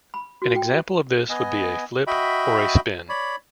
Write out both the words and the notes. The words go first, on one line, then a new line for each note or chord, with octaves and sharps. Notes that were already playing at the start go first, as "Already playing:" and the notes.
An example of this would be a flip, or a spin.
B5
F#4
G5
B3 D#5 G#5
F#4 D#5 E5 G5 B5
C#5 D5 B5